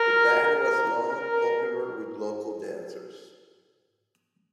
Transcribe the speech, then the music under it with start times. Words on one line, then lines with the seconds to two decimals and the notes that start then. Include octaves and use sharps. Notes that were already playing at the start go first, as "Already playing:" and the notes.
The band was long popular with local dancers.
Already playing: A#4
0.44 A#4
1.10 A#4